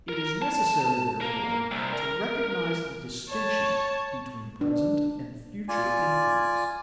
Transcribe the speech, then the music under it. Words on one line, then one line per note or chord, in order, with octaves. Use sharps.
It is necessary therefore to recognize the distinction between present and future incomes.
A#4
A5
A#3 A#4
C2
A#4
C#5 A5
D4
F4 D5 G#5